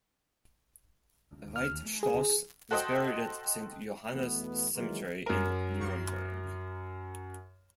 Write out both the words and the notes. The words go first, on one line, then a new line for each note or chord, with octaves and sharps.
Veit Stoss was buried at Saint Johannis cemetery in Nuremberg.
F6
G#4
F#4 A4 C5 D#5 G5 D#6
E2 B2 A3 B3
D#3 E3 F#3 G#3 A#3 F4
F#2 A#4